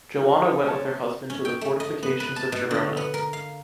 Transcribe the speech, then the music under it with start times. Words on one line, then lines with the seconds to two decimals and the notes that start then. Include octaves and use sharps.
Joana went with her husband to the fortifications of Girona.
0.22 F#4
0.41 A4
0.65 C5 C#5 E5 A5
1.30 C#4
1.45 G5
1.61 A3
1.80 D#5
2.03 B3
2.20 B4
2.36 A5
2.52 B2
2.71 D3
2.97 B3
3.14 A#4
3.33 F5